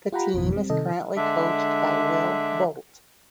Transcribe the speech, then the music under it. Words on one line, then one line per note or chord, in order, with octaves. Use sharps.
The team is currently coached by Will Bolt.
F4 G4 F#5 G5 A#5 B5
G#1 F2 B2 E3
G3 C4
C3 D#3 A4 D#5
D3 G#3 D4 E5